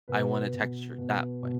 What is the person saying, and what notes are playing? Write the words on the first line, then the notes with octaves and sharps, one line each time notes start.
I want a texture that way.
B2 B4
B2
B2
B2